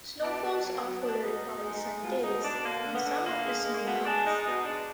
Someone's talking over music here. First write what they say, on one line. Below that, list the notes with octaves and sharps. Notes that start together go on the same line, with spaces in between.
Snowfalls are followed by sunny days, when some of the snow melts.
B2 D4
B2
D4
F#3
A#3
F#3 B3
B2 D4
B2 D#4
B2
G#3
G#3
B2 F4
B2 D#4
B2 D4
D3 A#3
D3
B3
D3
D3 A#3
G#3
G#3
A#3
B2 B3
G#3 D4
G#3 D#4
B2 D#4
G#3 D4